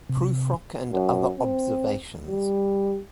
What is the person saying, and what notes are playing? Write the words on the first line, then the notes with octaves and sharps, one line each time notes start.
"Prufrock and other observations".
C3
F#2
C4
G3